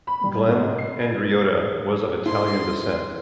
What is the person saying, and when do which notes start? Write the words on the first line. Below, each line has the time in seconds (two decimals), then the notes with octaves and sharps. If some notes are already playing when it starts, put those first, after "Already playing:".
Glenn Andreotta was of Italian descent.
0.07 B5
0.24 G3
0.47 G#2
0.78 C7
0.97 B4
2.26 E4 A4 C5 C6